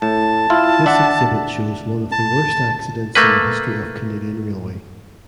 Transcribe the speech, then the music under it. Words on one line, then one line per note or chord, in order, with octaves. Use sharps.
This exhibit shows one of the worst accidents in the history of Canadian Railway.
A2 A5
E4 F4
D4 E5 F#5
A5
A3 A#3 B4